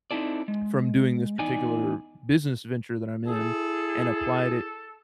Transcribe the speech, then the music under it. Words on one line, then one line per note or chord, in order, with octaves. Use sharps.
from doing this particular business venture that I'm in, and applied it
C4 D#4 E4 A4 D5
G#3
E2 D#4 D5 G#5
E4 G#4 A4